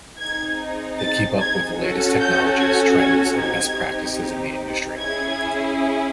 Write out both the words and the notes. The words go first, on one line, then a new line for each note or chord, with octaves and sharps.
They keep up with the latest technologies, trends, and best practices in the industry.
C4 D#4 G#4 G#6
A6
G#6
C#4 F#4 A4
G6
G#6
G#6
C4 D#4 G4 G#6
C#4 E4 G#4 G#6